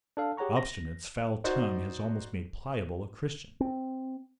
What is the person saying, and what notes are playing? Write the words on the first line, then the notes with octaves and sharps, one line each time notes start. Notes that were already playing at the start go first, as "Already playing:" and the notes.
Obstinate's foul tongue has almost made Pliable a Christian.
D4 A4 F5
G4 G#4 C#5 F#5 A#5 C#6
A#6
D#4 F#4 C5 D5
C4